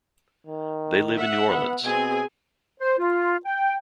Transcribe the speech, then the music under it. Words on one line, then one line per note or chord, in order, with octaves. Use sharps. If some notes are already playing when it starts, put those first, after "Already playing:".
They live in New Orleans.
D#3
E5 F#5
B3
B2 C4 G#4 G#5
C5
F4
G5